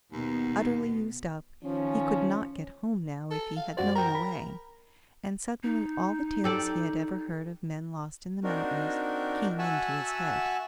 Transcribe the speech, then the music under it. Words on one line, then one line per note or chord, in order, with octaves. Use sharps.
Utterly used up, he could not get home now if he had known the way; and suddenly all the tales he had ever heard of men lost in the mountains came into his head.
D#2 B2 B3
D#3 F3 C#4
A4
F5
F#2 F#4 C5 D5
A#4 G5 A#5
B5
D#4
G4 A4 D5
C4 D4 D#4 F#4 A#4
F#4 E5 F#5 G#5 A5 E6